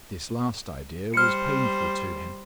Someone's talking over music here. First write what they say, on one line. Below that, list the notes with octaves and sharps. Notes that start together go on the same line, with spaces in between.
This last idea was painful to him.
G3 C5 F6 C#7